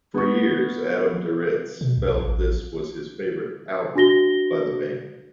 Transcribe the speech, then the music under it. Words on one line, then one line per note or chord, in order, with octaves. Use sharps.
For years Adam Duritz felt this was his favorite album by the band.
B3 C#6
B2
C2
A1
D4 F#4 A#6 G7